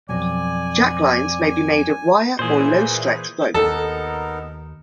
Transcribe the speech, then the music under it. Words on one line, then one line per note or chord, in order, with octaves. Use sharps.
Jacklines may be made of wire or low-stretch rope.
F2 B2 F#3 D5 G#5
A#2 E3 G#4 C5
D#2 B3 D#4 A4 A#4